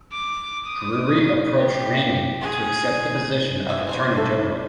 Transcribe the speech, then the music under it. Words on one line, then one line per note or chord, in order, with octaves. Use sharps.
Drury approached Raney to accept the position of Attorney-General.
D6
D#6
G4
G#4
E5 G#5
E3 C5 C#5
A4 E5